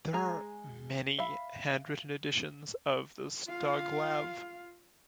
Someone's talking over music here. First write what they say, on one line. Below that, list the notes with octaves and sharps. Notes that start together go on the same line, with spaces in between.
There are many hand-written editions of the "Stoglav".
G#3 G#4 A#5
E5 F5 B5
F4 F5